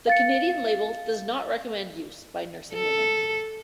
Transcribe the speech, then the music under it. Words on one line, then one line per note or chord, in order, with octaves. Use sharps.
The Canadian labeling does not recommend use by nursing women.
F5 A6 C#7
A4